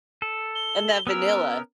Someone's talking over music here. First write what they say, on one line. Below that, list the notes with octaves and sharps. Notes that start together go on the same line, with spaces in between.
and that vanilla.
A4
G7
B3 C#4 A#4 E6